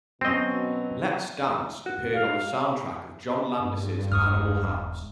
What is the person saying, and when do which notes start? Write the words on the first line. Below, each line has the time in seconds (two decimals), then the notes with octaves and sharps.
"Let's Dance" appeared on the soundtrack of John Landis's "Animal House".
0.21 B2 F#3 C4 C#4 D#5
1.86 F#4
2.13 F5
3.60 G2
4.12 E1 G#2 C#6 D#6 F6